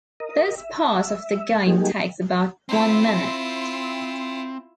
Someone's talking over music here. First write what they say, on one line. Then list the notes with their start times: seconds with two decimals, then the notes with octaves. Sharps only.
This part of the game takes about one minute.
0.20 A#4 D#5
0.58 E5
1.66 F#3 G3 A#3 D#4 G4 G#4
2.69 C4 E4 F4